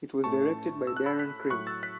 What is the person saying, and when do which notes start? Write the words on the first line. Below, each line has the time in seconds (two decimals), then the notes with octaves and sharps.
It was directed by Darren Craig.
0.23 A2 A3 C#4 A5 C#6
0.87 E6
0.97 F#6
1.06 B5 E6
1.19 F#6 B6
1.50 A2 F#3 A3 C#6 F#6
1.67 E6 A6
1.83 F#6 B6